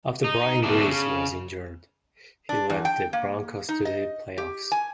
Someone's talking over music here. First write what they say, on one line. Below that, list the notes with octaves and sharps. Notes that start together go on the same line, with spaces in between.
After Brian Griese was injured, he led the Broncos to the playoffs.
D#4
B2 A3 D4
C#3
D4
E2
G5
A#3
D#4
D#5
G4
G#5